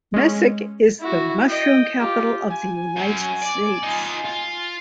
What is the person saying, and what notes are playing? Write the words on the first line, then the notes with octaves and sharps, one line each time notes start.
Mesick is the Mushroom Capital of the United States.
G#3 C#4
E4 F#4
D#5 G5
F4 G4
G#5
F#2 F#3
D5
D#4 F4
F4